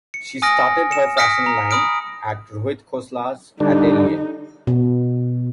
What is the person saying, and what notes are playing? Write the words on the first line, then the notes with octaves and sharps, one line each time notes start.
She started her fashion line at Rohit Khosla’s atelier.
C#7
G#5 D#6 F6 A#6 D7
C#7 E7
D#6 F6 A#6 B6 C#7 D7
A#5
B5 D#6 F6 D7
D3 G3 D4 D#4
B2